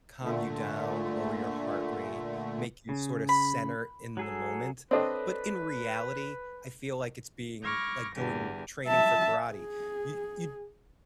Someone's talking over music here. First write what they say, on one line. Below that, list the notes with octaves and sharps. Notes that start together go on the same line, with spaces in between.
calm you down, lower your heart rate, make you sort of center in the moment. But in reality, I feel like it's being like, going training for karate. Y y
A#2 D3 A3
C#3
B5
F#3 G#4 A4
C4 D4 G4 A4 B4 C#5 D#5
B5 C#6 D6 F6 G#6 A#6
E2 G2 D3 G4 G#5
E5 A5
G#4